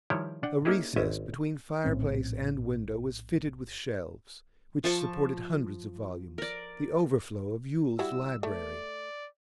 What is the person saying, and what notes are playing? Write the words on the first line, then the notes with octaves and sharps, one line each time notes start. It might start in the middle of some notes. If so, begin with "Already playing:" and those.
A recess between fireplace and window was fitted with shelves, which supported hundreds of volumes, the overflow of Yule's library.
D#3 F3 G3 E4 C#5 G5
D4 F#5 G5
A#3 C#4 D#4 E4 G4 G#4
G#1 C#4 D#5 E5
A#1 A2 C4 C#4
F3 A5 C#6
A#4 D5
G3 E4 F#4 E6
A3 D5